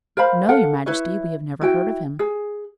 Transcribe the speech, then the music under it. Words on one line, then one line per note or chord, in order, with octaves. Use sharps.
'No, your majesty, we have never heard of him.'
A#4 C5 F5 B5
A4 A#4 F5 F#5
E4 B4 C#5
E4 F#4 G5
G#4